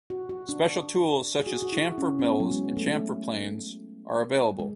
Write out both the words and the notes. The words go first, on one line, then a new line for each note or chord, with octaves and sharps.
Special tools such as chamfer mills and chamfer planes are available.
F#4
F#4
D4
G#4
F#4
F#4
E4
C#4
C#4
B3
F#3
G#3
A3
G#3